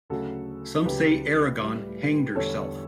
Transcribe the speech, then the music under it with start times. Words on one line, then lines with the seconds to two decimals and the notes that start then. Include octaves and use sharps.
Some say Erigone hanged herself.
0.10 D2 C#3 F#3 F#4 A4
0.85 C#2 C#3 F#3 G4 B4
1.60 A2 G3
2.35 E2 D3 G3 A4 C#5